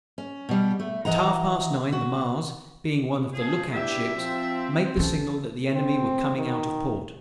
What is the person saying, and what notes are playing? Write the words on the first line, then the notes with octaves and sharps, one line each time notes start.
At half past nine the Mars, being one of the look-out ships, made the signal that the Enemy were coming out of port.
C#4
B2 G3
A3
E3 D#5 F#5 A#5
F#4
F3 G#3 G#4
B3 D4 E4 G4 E5
F3 C4
E3 C#4 A4
C4
D#3